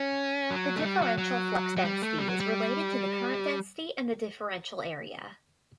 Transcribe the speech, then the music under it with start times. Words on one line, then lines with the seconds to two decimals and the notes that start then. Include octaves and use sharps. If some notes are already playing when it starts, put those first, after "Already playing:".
The differential flux density is related to the current density and the differential area.
Already playing: C#4
0.50 F#3
0.76 A3
0.85 G3
1.02 F#3
1.18 F#3
1.77 F#3
1.85 G3
2.02 A3
2.18 G3
2.29 F#3
2.40 G3